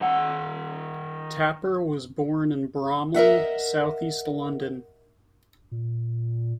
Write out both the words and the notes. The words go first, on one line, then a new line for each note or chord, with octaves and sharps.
Tapper was born in Bromley, South East London.
D#3 F#5
A#4 D#5 E5 F#5
A#2